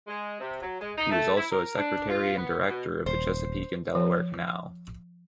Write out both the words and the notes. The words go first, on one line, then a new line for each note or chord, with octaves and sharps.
He was also a secretary and director of the Chesapeake and Delaware Canal.
G#3
C3
F#3
G#3
D#4
A3
E4
A#4
D4
F4
B3
B2
D#1 C5
F3